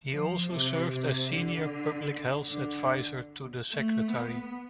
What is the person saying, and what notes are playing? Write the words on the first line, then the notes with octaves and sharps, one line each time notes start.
He also served as senior public health advisor to the Secretary.
F3
C3
C3
D3
D3
A3
B3